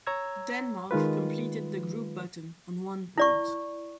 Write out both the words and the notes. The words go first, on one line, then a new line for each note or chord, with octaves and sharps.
Denmark completed the group bottom, on one point.
C#5 A#5 E6 G#6
D#3 G#3 F4 B4
E4 D5 C#6